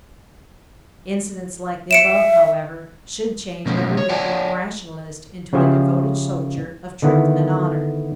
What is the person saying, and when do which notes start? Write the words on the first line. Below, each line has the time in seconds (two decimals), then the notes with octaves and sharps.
Incidents like the above, however, should change every lukewarm rationalist into a devoted soldier of truth and honor.
1.91 E5 C#7 D7 E7
3.66 B2 F3 G#3 A3 C#4
3.97 C#5
4.09 C#5 D5 F#5 G#5 A5
5.53 C#3 F3 G4 C5 E5 G#5
7.02 D3 D#3 B3 E4